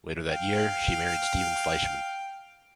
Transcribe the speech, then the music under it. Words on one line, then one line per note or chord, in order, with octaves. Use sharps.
Later that year, she married Steven Fleischmann.
F5 G5